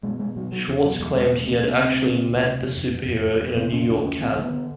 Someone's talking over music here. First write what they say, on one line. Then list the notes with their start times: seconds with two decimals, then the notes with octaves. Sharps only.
Schwartz claimed he had actually met the superhero in a New York cab.
0.03 B2 G#3
0.19 B2 G#3
0.36 B2 F#3
0.52 B2 F#3
0.68 E2 F3
0.84 B2 F#3
1.00 E2 G3
1.16 E2 G#3
1.32 C3 A3
1.48 D2 A#3
1.64 C3 B3
1.80 D2 C4
1.96 C3
2.12 C3
2.29 D2
2.45 C3
2.61 F2
2.77 F2
2.93 F2
3.08 F2
3.24 F2
3.40 F2
3.57 C3 B3
3.72 F2 C#4
3.88 D2 D4
4.05 D2 C#4
4.20 D2 C4
4.37 D3 B3
4.54 D3